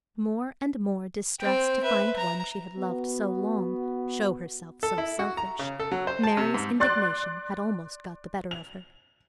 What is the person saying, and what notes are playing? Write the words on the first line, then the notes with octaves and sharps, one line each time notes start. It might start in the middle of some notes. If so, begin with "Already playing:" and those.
More and more distressed to find one she had loved so long show herself so selfish, Mary's indignation had almost got the better of her.
C4 G5
B4 E5
A#5
B3 F#4
A4
E4
F#4
A#5
C#3
A4
F#3
C5
A5
C3
G#2
D5 C6 F#6 A6
F7